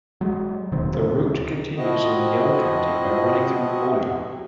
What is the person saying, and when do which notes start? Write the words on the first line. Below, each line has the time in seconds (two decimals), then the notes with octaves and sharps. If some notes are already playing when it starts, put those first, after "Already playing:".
The route continues in Yell County by running through Ola.
0.21 F#3 G#3
0.72 D#1 B2 D#3 C4
0.92 D2 C#3 C4
1.76 F3 C4 E4 F#4 D#5